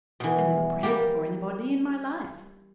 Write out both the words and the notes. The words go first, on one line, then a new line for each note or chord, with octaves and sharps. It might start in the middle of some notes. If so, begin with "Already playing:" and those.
I never prayed before anybody in my life.
B2 E3
G3 A#3 G4